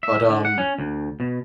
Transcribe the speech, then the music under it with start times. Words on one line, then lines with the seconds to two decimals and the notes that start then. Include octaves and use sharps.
But, um,
0.03 E5
0.30 D3
0.45 F#5
0.58 C#4
0.79 D2
1.20 B2